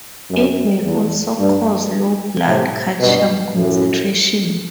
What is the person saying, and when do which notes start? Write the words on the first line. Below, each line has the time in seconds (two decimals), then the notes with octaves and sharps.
It may also cause low blood calcium concentration.
0.31 F#2
0.84 E2
1.39 G2
2.46 A2 C3
3.00 G2 B2
3.54 F#2 A2